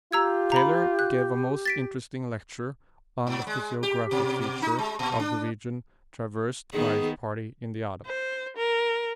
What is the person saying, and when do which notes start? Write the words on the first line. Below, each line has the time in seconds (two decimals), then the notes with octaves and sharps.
Taylor gave a most interesting lecture on the physiographic features of the region traversed by his party in the autumn.
0.12 F4 G4 A#5 E6 G#6
0.52 A#5 B5
0.99 F#6
1.65 A6 B6 D7
3.27 G#2
3.47 G#3
3.83 G4
4.11 B2
4.62 D#4
4.78 G#3
4.99 A#2
5.20 D4
6.73 D#3 B3 G#4
8.06 C5
8.57 A#4